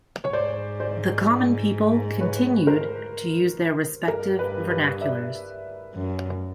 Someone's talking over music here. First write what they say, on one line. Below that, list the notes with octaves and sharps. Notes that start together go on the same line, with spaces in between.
The common people continued to use their respective vernaculars.
C#5
G#2 C5 D5
C5 D5
B4 C#5
A#4 C5
G2 A#4
B4
B4
D5 E5
F#2